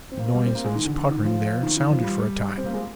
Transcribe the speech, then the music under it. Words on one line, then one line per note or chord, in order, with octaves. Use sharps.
The noise of his puttering there sounded for a time.
C4
A#3
G3
C4
A#3
G#3
D#3
D3
D3
D#3
F3
D#3
D#3
F3
G3
C4
A#3
G#3